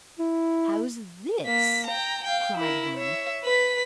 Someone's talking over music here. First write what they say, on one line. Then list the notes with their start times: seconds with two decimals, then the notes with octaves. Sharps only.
'How's this?' cried one.
0.19 E4
1.45 A#3 B6
1.87 G5 A#5
2.24 F5 G5
2.56 E4 A#4
2.97 C#5 E5
3.44 B4 B6